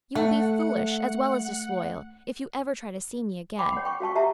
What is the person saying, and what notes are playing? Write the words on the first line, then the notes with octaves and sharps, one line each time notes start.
You will be foolish, as well as disloyal, if you ever try to see me again.
A3 F#5
G5 B5 C6 D6
C#5 F#5
G5 C#6
F#4 F5 A5 C#6
G4 E5 F#5 A5 A#5